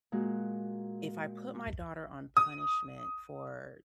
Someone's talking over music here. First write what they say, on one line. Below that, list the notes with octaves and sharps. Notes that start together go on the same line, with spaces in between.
if I put my daughter on punishment for,
A#2 G#3 F#4 F#6
D#6